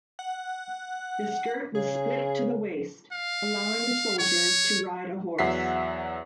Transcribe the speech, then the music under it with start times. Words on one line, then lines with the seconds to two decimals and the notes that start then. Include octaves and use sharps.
The skirt was split to the waist, allowing the soldier to ride a horse.
0.19 F#5
1.75 C#3 G#4
3.13 F5
4.19 C#5
5.38 E2 F#3 E5 F#5 B6 C7